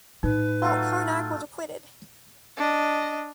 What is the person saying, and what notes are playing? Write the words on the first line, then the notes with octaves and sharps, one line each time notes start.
Falk Harnack was acquitted.
A2 D#4 B4
F#3 A3 F4
D4 D#5